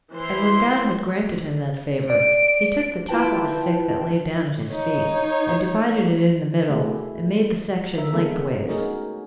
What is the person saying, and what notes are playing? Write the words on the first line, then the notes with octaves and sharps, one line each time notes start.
And when God had granted him that favor, he took the top of a stick that lay down at his feet, and divided it in the middle, and made the section lengthways.
E3 C5 C6
D5 D7
E4 F4 B4 G5 A5
D#4 C#5
A3 A#3 E4 F#4 G#4
A3 E4
F4 A#4 E5
G#3 A#3 B3 C#4 A4 A#4
A3 C#4 D#4 F#4 G#4 A#4